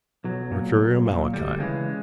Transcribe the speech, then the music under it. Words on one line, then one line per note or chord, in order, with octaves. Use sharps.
Mercurial Malachi.
B1 F#3
A#2
B1
A#2
D2 G3
C#3 E3 G#3